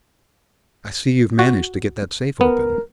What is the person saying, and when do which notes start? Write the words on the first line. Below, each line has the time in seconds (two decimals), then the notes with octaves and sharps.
I see you've managed to get that safe open.
1.39 F#4
2.41 B3 A#4